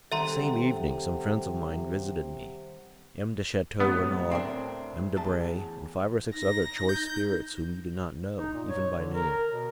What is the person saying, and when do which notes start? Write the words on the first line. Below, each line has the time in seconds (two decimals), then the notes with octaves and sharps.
The same evening some friends of mine visited me,--M. de Chateau-Renaud, M. Debray, and five or six other choice spirits, whom you do not know, even by name.
0.12 C3 D#3 G3 A4 E5 F#5 A#5 C6
3.80 A2 C3 F#3 B3
4.31 D2 A2 C4 D4 A#4
5.16 E2 A5
6.33 D#4 A#6
6.89 G6
8.38 D#4
8.53 A#2
8.69 C#5
8.95 D3
9.14 A#4
9.51 B2